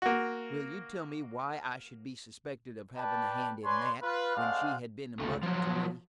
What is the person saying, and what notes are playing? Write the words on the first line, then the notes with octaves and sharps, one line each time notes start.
Will you tell me why I should be suspected of having a hand in that, when she had been a mother to me?
A#3 F#4
B4 D5 G5 A5
B4 C#5 D5 G#5 C6
F4 B4
G#3 A3 C4 D5 F5 F#5
C#2 A3
F3 F#3